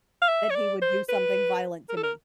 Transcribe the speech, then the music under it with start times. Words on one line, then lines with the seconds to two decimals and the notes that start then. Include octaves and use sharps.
that he would do something violent to me.
0.22 F5
0.28 E5
0.50 C#5
0.55 D5
0.82 C5
1.09 B4
1.90 A#4
1.97 A4
2.03 A#4